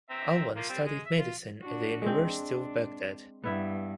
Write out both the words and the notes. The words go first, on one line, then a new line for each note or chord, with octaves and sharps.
Alwan studied medicine at the University of Baghdad.
C4 E5 A#5
F3 A#3 F4
G3 C4
G#3
E5
F4
D4 F#4
G#3 C4 D4
G2 B3 E4 E5